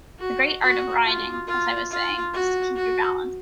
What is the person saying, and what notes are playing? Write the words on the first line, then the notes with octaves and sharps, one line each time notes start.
The great art of riding, as I was saying, is to keep your balance.
F#4
F#4
F4
F4
F4
F#4
F#4